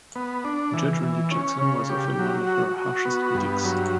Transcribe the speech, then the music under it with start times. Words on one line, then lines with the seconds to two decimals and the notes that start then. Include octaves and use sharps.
Judge Randy Jackson was often one of her harshest critics.
0.16 B3
0.45 D4
0.73 E3
1.03 E3
1.31 C#4
1.61 C#3
1.89 G4
2.19 F#3
2.47 F#4
2.77 F#4
3.05 B3
3.34 G2
3.64 F#3